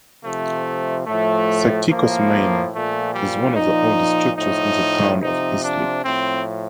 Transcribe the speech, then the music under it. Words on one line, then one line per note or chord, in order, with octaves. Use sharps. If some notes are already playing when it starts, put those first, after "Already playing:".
Sagtikos Manor is one of the oldest structures in the Town of Islip.
C3 F3 A3
A2 F3 A3
A2 F3 A#3
A#2 F3 A3
G3
A#2 D#4
F3
A2 F3 D#4
C3 F3 D#4
D4
A2 F3 C4